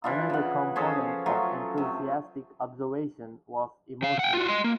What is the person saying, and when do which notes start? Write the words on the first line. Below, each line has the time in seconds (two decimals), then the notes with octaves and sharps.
Another component of enthusiastic observation was emotional.
0.04 E3 D4 F4
0.30 C#3 F#5
0.76 F3 C#4 G#4 A4
1.26 F#3 A3 F4
1.78 C3
4.03 C#3 F5
4.19 F#5 G5
4.33 F4 F#4
4.48 D#5 C6
4.64 A#3